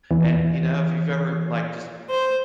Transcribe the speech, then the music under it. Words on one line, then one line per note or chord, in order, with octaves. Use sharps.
and, you know, if you've ever, like, just
E2 E3
C5